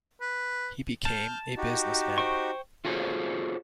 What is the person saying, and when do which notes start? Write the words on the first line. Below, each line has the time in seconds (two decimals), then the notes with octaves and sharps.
He became a businessman.
0.21 B4
1.05 A5 F6 G6
1.57 D#4 F#4 G4
2.18 C5 G5 C#6
2.85 F4 F#4 G#4 A4 C5 C#5